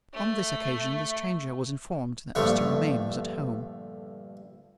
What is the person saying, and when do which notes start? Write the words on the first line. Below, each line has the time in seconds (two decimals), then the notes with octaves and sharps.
On this occasion, the stranger was informed that Mr. Romayne was at home.
0.13 A3
2.35 A#1 G2 D3 F3 A3 C#6